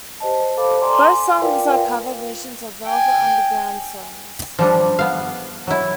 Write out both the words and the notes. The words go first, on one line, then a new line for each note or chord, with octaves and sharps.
Both songs are cover versions of Velvet Underground songs.
G4 C5 D#5 A5
A4 C5 F5 A5 B5 D6
D5 F#5 G#5 A#5 C6 D6
G#5
F4 A#4 B4 D5 F5 G5
F5
G5 G#5
F3 G3 D4
B3 F5
F#3 E4